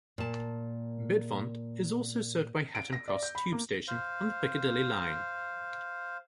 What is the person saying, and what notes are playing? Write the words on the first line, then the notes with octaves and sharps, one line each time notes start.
Bedfont is also served by Hatton Cross tube station on the Piccadilly line.
A#2 A5
D7
A#6
D5
G6
B5
A#3
C5 F5